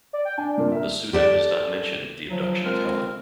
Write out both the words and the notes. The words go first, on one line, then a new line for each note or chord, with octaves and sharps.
The Suda does not mention "The Abduction of Helen".
D5
G5
D4 G#5
G2 A#2 A#3
A#4 E5
G4 A4 D5
F3 F#3
F3 G#3 C4 A#4